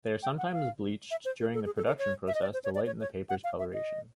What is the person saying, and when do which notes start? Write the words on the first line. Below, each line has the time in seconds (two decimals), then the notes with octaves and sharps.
They are sometimes bleached during the production process to lighten the paper's coloration.
0.23 G5
0.38 F#5
0.52 F5
1.11 E5
1.25 C5
1.40 A#4
1.54 A4
1.66 G#4
1.77 A4
1.87 A#4
1.99 C#5
2.28 E5
2.35 D#5
2.42 D5
2.54 C5
2.64 C#5
2.75 D5
2.86 C#5
3.01 C#5
3.29 F#5
3.44 F5
3.59 E5
3.73 D#5